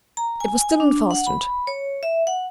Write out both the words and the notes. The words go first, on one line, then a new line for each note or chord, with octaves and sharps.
It was still unfastened.
A#5
G#5
G#5
D4
F#5
B5
C#5
E5
F#5